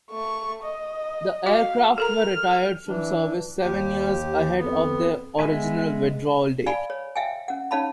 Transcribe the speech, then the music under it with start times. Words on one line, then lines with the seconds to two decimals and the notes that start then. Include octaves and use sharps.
The aircraft were retired from service seven years ahead of their original withdrawal date.
0.11 A3 C#6
0.63 D#5
1.46 F#4 D#5 F5
1.98 A4 A#4 A#5 F6
2.87 E3 D4
3.59 D#2 G4
4.57 F2 B3
5.39 G#3 B3 B4 E5 G#5
6.66 D5 F5 G#5 B5
6.90 C#5
7.16 E5 F5 G5 G#5
7.48 C#4 F#5
7.71 C#4 D#4 C#5 F5 A5 B5